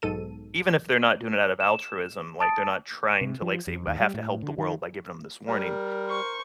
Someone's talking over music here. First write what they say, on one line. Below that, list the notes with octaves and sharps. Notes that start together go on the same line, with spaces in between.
even if they're not doing it out of altruism, like they're not trying to like say "I have to help the world by giving them this warning,"
B1 G#2 A4 D#7
E7
A5 D#6 A6 D7
C3
F3
F2
D#2
G3
A2
D3
D#3
G3 A#4
C5 C#6